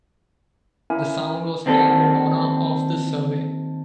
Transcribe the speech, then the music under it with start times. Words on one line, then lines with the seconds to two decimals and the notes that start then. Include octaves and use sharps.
The sound was named in honour of this survey.
0.90 C#4 E4 A#4 E5 F5 G#5
1.66 D#2 C4 D4 A4